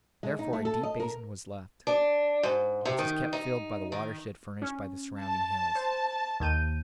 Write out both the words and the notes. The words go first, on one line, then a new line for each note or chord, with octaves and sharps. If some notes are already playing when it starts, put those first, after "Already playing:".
Therefore a deep basin was left, which is kept filled by the watershed furnished by the surrounding hills.
G#3
D#4
A3
A4
D#5
A#4
D4
G#2
C3
D#3
D#4
D#3
C#4
A5
C5
D#2 G6 D#7